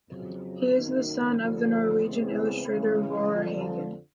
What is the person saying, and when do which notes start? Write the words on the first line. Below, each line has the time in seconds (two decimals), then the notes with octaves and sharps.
He is the son of the Norwegian illustrator Roar Hagen.
0.10 F2 C#3 F#3
0.74 F#2 D#3 F#3 A#3 D#4
1.40 D#2 D3 F3
2.04 E2 C#3 E3 G#3 C4
2.68 C#3 E3 G#3
3.34 F2 D3 F3